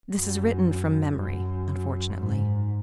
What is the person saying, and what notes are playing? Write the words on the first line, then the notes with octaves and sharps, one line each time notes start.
This is written from memory, unfortunately.
F#2
F#2
G#2